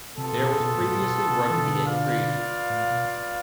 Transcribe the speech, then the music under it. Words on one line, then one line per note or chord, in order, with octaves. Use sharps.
There was previously rugby at Crieff.
C3 B3 F4 A4
B2
B2
A2
A2
B2
C3
E3
B2 D3
F4 B4 D5 F5
A2
B2